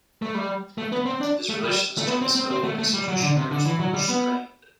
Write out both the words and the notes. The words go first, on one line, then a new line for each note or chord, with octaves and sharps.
His relations to his fellow executioners were strained.
A3
G3
A3
B3
C4
D4
A3
G3
A3
B3
C4
C4
C4
A3
A3
G3
F#3
D3
C3
D3
E3
F#3
G3
B3